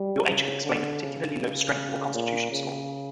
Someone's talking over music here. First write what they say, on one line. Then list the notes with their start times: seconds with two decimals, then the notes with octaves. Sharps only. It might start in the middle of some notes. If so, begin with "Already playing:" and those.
Your age could explain a particularly low Strength or Constitution score.
Already playing: G3
0.27 C#3
0.64 D3
1.03 C#3
2.15 A#2
2.51 C#3